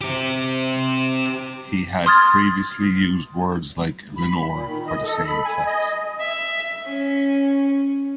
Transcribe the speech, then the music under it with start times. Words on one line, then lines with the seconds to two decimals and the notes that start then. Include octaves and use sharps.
He had previously used words like "Lenore" for the same effect.
0.01 C4 G4
2.06 C6 D#6 F6 G#6 A6
4.17 B5
4.49 A#2
4.65 D#3
4.87 D#5
5.04 A4
5.26 B5
5.45 G#5
5.66 D#5
6.20 E5
6.86 C#4